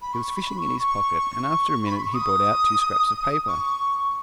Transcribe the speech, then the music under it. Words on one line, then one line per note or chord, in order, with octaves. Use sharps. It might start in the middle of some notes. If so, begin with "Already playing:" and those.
He was fishing in his pocket, and after a minute he brought out two scraps of paper.
B5
C#6
B5
C#6
C#6
B5
C#6
D#6
C#6